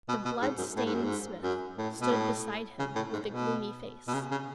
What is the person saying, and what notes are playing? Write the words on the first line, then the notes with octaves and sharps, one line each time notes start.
The blood- stained smith stood beside him with a gloomy face.
B2
B2
G#2
F#2
A2
G#2
F#2
G#2
F#2
A2
B2
A2
C#3
A2
G#2
B2
B2
C#3
C#3